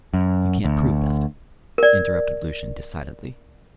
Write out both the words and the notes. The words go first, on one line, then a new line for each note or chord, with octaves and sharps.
"You can't prove that," interrupted Lucian decidedly.
F#2
D2
A#4 D5